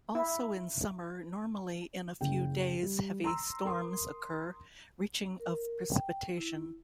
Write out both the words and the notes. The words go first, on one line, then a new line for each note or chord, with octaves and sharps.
Also in summer, normally in a few days heavy storms occur, reaching of precipitation.
E4
F#1 C#3 G5
G3
A#5 C6 E6
A#4 C6 D#6
A#4
G5
E4